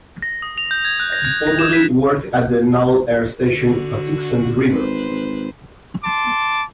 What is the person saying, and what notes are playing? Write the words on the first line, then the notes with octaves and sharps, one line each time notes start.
He formerly worked at the Naval Air Station Patuxent River.
A#6
D#6
F7
G6
G#6
F#6
A#6
G#6
A#6
E7
B6
D3 F#4
G#1 B4 C5
G#1
A5 C6 D6